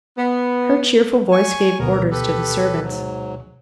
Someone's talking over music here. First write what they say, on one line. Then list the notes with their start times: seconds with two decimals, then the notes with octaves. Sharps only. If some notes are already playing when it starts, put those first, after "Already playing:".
Her cheerful voice gave orders to the servants.
0.18 B3
1.32 G#5 C#6
1.80 D2 B2 B3 A#4
2.11 G4 A4 B4
2.81 G#2 F#3